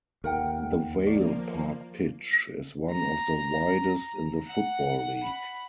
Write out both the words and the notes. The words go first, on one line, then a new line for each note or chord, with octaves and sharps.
The Vale Park pitch is one of the widest in the Football League.
D#2 A#4 F#5 G5
F3 A#3 D5
A#5
F#5
B5